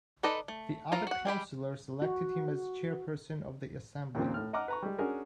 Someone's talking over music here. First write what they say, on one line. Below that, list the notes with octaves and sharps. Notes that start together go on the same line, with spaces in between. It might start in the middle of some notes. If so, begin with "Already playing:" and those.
The other councillors elected him as chairperson of the assembly.
D#4 A4 B4 D5 D#5
A3
E3 F3 F4 A#5
F#4 F#5
G3 G#3 G4 B5
F#4
D#2 A#2 C#3 F3 C4
A2 F6
D#5 F#5 A#5 D6 F6
B4 A#5 C#6
G3 G#3
C#4 D4 F#4 G#4 A#4